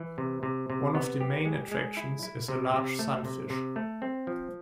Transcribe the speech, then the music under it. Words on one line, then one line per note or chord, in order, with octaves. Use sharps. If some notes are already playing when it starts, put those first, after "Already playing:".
One of the main attractions is a large sunfish.
Already playing: E3
C3
C3
C3
B3
G4
G#3
G#3
E4
E4
C3
C3
A3
C3
C3
A3
C4
F3